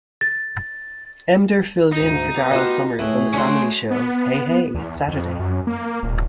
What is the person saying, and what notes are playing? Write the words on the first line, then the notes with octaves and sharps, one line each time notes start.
Emdur filled in for Daryl Somers on the family show "Hey Hey It's Saturday".
A6
D2 G#2 D#4
B3 G4 F5
F4 F#4 D#5
A2 E4 G#4 B4 C#5
G#3 A3 C#4 D4 F#4 C6
B3
E2
F2
F#2
A#3
D#1